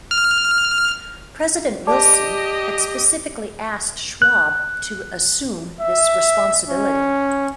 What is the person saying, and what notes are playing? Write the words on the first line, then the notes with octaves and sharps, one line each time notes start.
President Wilson had specifically asked Schwab to assume this responsibility.
F6
G4 D5 D#5 A5 D6
F#6
E5
C#4